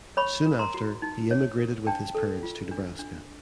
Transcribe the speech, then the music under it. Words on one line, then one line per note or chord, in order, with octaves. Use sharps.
Soon after he immigrated with his parents to Nebraska.
C#5 B5 C#6
A#4
A#5 C6
F#4
D#4
C#5
A#4
D4 G5 A5
A4
F4
D4
D4